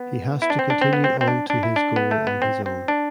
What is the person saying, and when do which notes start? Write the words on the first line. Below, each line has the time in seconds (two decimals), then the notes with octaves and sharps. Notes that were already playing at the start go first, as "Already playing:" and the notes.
He has to continue on to his goal on his own.
Already playing: B3
0.42 E4
0.50 D4
0.59 C4
0.70 D4
0.81 C4
0.93 B3
1.04 C4
1.21 C4
1.28 D4
1.50 D4
1.63 E4
1.76 D4
1.96 B3
2.11 A3
2.27 B3
2.42 C4
2.66 C4
2.88 D4